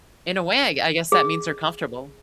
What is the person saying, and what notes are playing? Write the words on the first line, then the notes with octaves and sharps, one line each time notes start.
in a way, I g I guess that means they're comfortable.
G#4